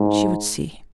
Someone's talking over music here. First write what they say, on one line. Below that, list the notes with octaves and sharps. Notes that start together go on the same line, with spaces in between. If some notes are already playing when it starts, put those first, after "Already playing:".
She would see.
Already playing: G#2